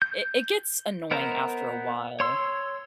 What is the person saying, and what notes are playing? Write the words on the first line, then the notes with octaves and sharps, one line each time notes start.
i it gets annoying, after a while
G6
B3 A#4 C5 D#5 A#5
C#5 C6 E6